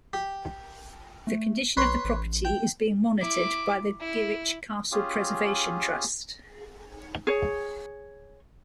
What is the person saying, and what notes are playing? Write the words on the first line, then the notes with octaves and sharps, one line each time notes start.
The condition of the property is being monitored by the Gwrych Castle Preservation Trust.
G4
A3
B1 B4 C#5 C6
A1
G5
E4 D6
E4
C#4 F4 G4 G#4
G#4 C#5